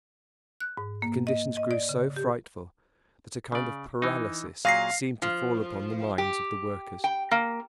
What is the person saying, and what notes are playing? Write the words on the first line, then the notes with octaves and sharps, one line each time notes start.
The conditions grew so frightful that a kind of paralysis seemed to fall upon the minds of the workers.
F#6
G#2
A#3
D#5
D#5
D5
C#3
G4
C#3 D5
E3 D#4
A#2 F#3 G#4 F5 A#6 C7
F3
G4
G5
A#3